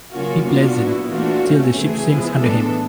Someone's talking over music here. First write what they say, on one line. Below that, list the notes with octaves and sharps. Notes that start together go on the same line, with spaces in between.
Be pleasant, till the ship sinks under him.
C#3 F#3 A#3 C#4 F4 F#4
A#2 G3 B3 D4 F4 F#4
A#2 F#3 B3 E4
E3 A3 D4 F4 F#4
B2 F#3 A3 C#4
C#3 E3 A3 C4 G#4
F3 G#3 B3 E4
A2 E3 G#3 B3 D4 A4